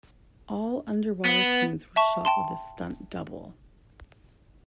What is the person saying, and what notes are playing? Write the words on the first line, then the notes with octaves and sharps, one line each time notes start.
All underwater scenes were shot with a stunt double.
B3
E5 A5 C#6
G5 A5 C6